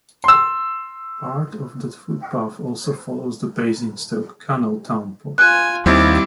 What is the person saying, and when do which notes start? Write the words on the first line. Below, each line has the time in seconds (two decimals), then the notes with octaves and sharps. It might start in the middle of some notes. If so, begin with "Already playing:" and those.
Part of the footpath also follows the Basingstoke Canal towpath.
0.24 C6 E6
5.38 F4 G#5 F#6
5.86 D#2 G3 C4 E4 D6